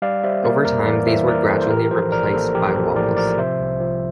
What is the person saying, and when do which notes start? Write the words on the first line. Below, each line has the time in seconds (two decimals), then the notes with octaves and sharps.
Over time, these were gradually replaced by walls.
0.02 G3 D5 F5
0.24 G3 C5 E5
0.44 A#3 A#4 D5
0.65 F2 A#4 D5
0.86 E3 A#4 D5
1.07 E3 C5 E5
1.28 A#3 A#4 D5
1.49 E3 A4 C5
1.62 C5
1.70 A2 G4 A#4
1.91 F3 A4 C5
2.12 A#1 A#4 D5
2.33 A#3 A4 C5
2.55 A#1 G4 A#4
2.75 A#1 A4 C5
2.96 A2 A#4 D5
3.17 F3 A#4 D5
3.38 C3 C5 E5
3.59 C2
3.80 F3